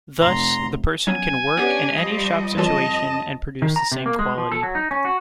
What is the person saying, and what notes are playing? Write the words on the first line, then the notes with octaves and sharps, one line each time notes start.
Thus, the person can work in any shop situation and produce the same quality.
F1 A#5 C6
F#3 B3 C#4 G#5
B3 C#4 D4 G4 B4
F3 G3 D#5
F2 E3 F#3 F4 D#5 A5
D#3
A#5
C3
A#3
G#3
F3
A4
F#3
D#4
C#4
F#4